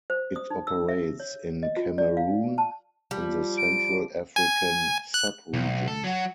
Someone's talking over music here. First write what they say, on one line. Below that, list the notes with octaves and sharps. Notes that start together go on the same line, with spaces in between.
It operates in Cameroon in the Central African sub-region.
C5
D#6
D#4
E6
E5
C#5
D#5
F4
D5
F5
A5
F3 G3
D7
G#5
F#6
B1
A4
F#3 F#4